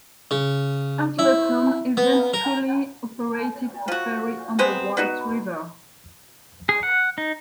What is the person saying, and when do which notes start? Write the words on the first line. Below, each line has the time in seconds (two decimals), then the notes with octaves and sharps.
Hazleton eventually operated a ferry on the White River.
0.31 C#3
1.19 E4
1.97 B3
2.34 A#4
3.88 F3 F#4
4.59 G#3 B3 C4 C5
4.97 B3 D#4 F#4
6.69 G#4
6.83 F#5
7.18 D#4